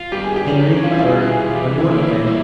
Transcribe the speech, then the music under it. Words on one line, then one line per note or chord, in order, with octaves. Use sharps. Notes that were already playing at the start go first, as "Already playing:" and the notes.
Henry or a new one, okay.
Already playing: F4
G2 G4
G#4
G4
C#4
G3 F4
E4
F4
G#4
F4
G#4
E3 G4
E4
A#3
E4
G3 E4